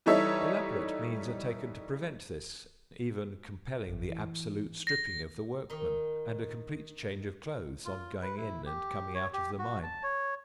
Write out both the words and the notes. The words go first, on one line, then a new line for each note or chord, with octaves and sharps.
Elaborate means are taken to prevent this, even compelling the absolute stripping of the workman, and a complete change of clothes on going in and coming out of the mine.
E3 G3 D#4 A4 C#5 E5
G#1 F#2
E3
A#6
D#3 D#4
F4
B4
E4
G4
C#5
G4
F#4
A5
C#5